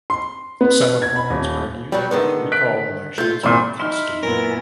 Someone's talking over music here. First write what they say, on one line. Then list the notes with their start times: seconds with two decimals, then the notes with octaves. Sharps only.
Some opponents argued that recall elections are costly.
0.10 C6
0.61 B3
1.02 G#6
1.16 B5
1.30 D#1
1.92 B2 F#3 G3
2.11 D3 D#3 G#3 B3
2.52 F#6 B6 D7
3.18 A3 F4 G6
3.43 G#1 A#2 E4
3.80 D#4 E4 C6 F6
4.23 F#2 A#2 B3 C#4 E4 A#4 G#5